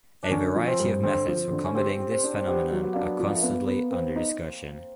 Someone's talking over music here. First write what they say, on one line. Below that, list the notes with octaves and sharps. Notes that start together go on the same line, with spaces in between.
A variety of methods for combating this phenomenon are constantly under discussion.
D4
D3 C#4
F3
C4
G2
D3 C4
F3
D3
C#4
C4 G4
G4
C4
D4
B3 G4
F#3
B3
A#3 D4
B3
F3 B3
A#3
A3
A#3 B3
B3
B3 C4
D#4